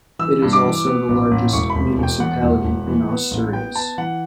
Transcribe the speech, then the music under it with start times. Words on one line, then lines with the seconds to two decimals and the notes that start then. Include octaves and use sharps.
It is also the largest municipality in Asturias.
0.19 E3 E6
0.42 G2
0.53 D6
0.64 E3
0.87 B3
1.08 A1
1.31 A1
1.53 E1 C#6
1.70 B5
1.75 E1
1.98 E1
2.03 G5
2.20 E2 F#5
2.42 E1
2.64 E1
2.87 E3
3.09 B3
3.31 A1
3.53 B3 G5
3.75 B3 A5
3.98 E3 F#5